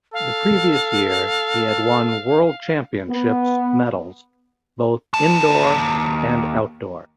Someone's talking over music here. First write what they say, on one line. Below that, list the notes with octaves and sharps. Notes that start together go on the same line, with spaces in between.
The previous year he had won World Championships medals both indoor and outdoor.
A4 F5
B3
D#2 A5